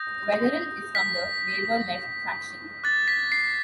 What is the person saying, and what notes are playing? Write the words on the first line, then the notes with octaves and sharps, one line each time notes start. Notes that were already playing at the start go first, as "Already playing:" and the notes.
Weatherill is from the Labor Left faction.
Already playing: D#6 G6 A#6
B6
D6 F#6 A6
B6
C7